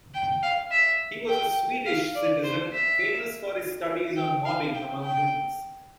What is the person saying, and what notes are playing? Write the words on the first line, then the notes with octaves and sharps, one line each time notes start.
He was a Swedish citizen, famous for his studies on mobbing among humans.
G5
F5
E5
G5
F5
D5
C5
E5
G5
F5
G5
G5